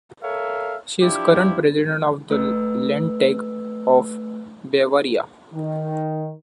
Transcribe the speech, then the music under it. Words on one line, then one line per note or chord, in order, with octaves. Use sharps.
She is current president of the Landtag of Bavaria.
A4 A#4 C#5 E5 F5
F3 D4 E4 F4 G4
A3 B4 E6
D#3